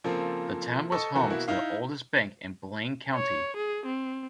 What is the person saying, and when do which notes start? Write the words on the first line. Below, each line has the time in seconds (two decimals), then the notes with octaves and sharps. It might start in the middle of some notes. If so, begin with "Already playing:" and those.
The town was home to the oldest bank in Blaine County.
0.04 C#3 F3 A#3 C4 F4 A4
0.92 A4 D#5 C#6 E6
1.15 D#3 E3 F#4 A4
1.30 B2 A#3 E4 F#4
1.48 D#4 E4 F5
3.15 C#5
3.57 G#4
3.86 C4